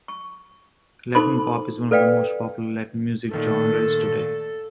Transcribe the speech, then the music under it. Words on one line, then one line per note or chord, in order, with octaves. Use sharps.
Latin pop is one of the most popular Latin music genres today.
C#6
D#4 A4 C5 B5 C6 D6
A4 B4 D5 F5 G5
A#2 D#3 A3 A4